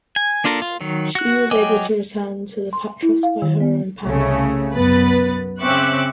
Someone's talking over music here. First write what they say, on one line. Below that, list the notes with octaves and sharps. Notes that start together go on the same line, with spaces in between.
She was able to return to Patras by her own power.
G#5
A#3 D4 F4 A4 A#4
F4
D#3 F#3
F#4 F#6
F#3 D#5 G5 G#5 D6
C6
E4
F5
D#3
B3
C2 C#3 A3
F#2 B3 B4 A6
C#3 C4 E5 C#6 D6 F#6